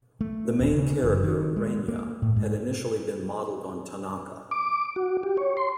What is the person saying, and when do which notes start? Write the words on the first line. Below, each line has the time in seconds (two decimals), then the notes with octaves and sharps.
The main character, Reinya, had initially been modeled on Tanaka.
0.21 A3
0.60 D#1
0.73 C#3
1.04 F#1
1.23 D#3
1.56 G#3
1.88 A#3
2.22 A2
2.36 G#2
4.51 D6
4.96 F#4
5.23 G4
5.37 C#5
5.57 C6